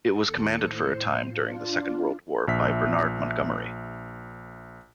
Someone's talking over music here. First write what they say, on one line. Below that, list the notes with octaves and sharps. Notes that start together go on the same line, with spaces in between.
It was commanded for a time, during the Second World War, by Bernard Montgomery.
D#2 A4 C#7
A2 C5
D4 F4
A#1 E5 B6